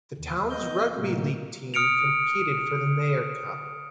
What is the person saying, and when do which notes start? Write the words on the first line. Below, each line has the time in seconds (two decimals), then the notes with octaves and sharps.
The town's rugby league team competed for the Maher Cup.
0.17 D#2
0.50 B3 D#5 G6
0.96 A2 C3 F#3 A#3
1.74 D#6 F6 C#7 D7 F7